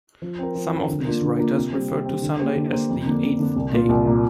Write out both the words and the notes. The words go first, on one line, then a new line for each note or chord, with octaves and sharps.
Some of these writers referred to Sunday as the "eighth day".
F3
C4 A#4
F3
C4 A#4
D3
A#3 D4 F4 A#4
D3
A#3 D4 F4 A#4
C3
G3 C4
C3
G3 C4
D3
A#3 G4 C5
D3
A#3 G4 C5
F2
D3 A#3 D4
F2
D3 A#3 D4
C2
A#2 A#3 F4
C2
A#2 A#3 F4